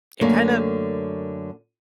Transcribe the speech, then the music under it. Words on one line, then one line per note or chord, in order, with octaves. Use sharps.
It kinda
F#2 D3 A3 A#3